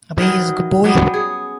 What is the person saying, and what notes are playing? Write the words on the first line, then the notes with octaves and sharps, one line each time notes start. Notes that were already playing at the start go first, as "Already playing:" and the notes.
Abhay is a good boy.
D#3 E3 F#3 D#5
F#3 G3 B3 C#4
G#4